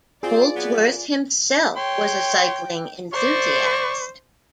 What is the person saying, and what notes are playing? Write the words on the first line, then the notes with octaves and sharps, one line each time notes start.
Holdsworth himself was a cycling enthusiast.
C4 F4 G#4 D5
F#3 B3
C#5 G5 C6
C5 D5 C#6